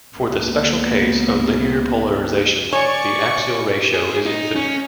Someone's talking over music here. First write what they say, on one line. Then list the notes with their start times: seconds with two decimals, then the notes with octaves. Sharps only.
For the special case of linear polarization, the axial ratio is infinite.
0.15 C#2 C#3 A#3 B3
2.73 C#5 D5 G#5 C#6
3.94 G#4
4.26 D#4
4.55 C#4